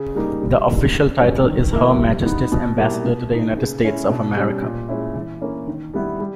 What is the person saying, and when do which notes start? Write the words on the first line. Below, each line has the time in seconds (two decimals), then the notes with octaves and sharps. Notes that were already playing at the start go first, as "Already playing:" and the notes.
The official title is Her Majesty's Ambassador to the United States of America.
Already playing: C#3
0.15 G3 A#3 D#4
0.41 G3
0.67 A#3 D#4
0.94 C#3
1.20 G3 C#4
1.46 D#3
1.73 A#3 E4
1.99 G3
2.26 B3 D#4
2.52 B2
2.78 G3 A#3 E4
3.04 B2
3.30 A#3 D#4
3.57 C#3
3.83 G#3 C#4 E4
4.10 B2
4.36 G3 C#4
4.62 A#2
4.89 G#3 C#4 E4
5.15 E3
5.41 A#3 C#4 E4
5.67 D#3
5.94 G3 B3 E4
6.20 G3